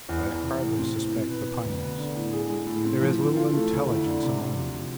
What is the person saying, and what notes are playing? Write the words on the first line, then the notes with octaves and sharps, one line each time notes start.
But I hardly suspect the Pineys. There is little intelligence among them.
E2
E2
C3
A2
C4
E3
B2
B4
B3
D2
B3
D3
A2
G#4
G#3
A2
C4
F3
E3
F4
A3
D2
E4
D3
C3
C3
F3